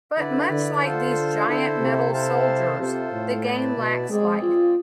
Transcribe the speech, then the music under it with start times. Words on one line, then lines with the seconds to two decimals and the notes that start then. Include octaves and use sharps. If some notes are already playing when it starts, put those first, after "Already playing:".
But much like these giant metal 'soldiers,' the game lacks life.
0.17 D3 E4 B4 D5
0.49 D3
0.82 F4 A4 C5
1.48 D3 E4 A4 C5
1.80 C3
2.13 E4 A4 C5 F5 A5
2.78 C3 F4 A4 C5
3.12 A2
3.44 E4 B4 D5 A5
3.76 B2
4.09 G#3 C4 G#4 D5
4.42 F4